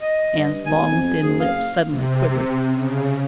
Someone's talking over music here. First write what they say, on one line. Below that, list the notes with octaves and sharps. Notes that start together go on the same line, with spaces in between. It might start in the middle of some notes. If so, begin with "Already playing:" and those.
Anne's long, thin lips suddenly quivered.
D#5
G2
E1 G#5
F2
F#1 G#4
F5
C3
C#3